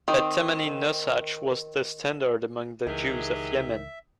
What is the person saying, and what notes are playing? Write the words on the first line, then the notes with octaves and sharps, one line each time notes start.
A "Temani" nosach was the standard among the Jews of Yemen.
D#3 C4
C#2 D#3 E3 F#3 G4 G#4 E5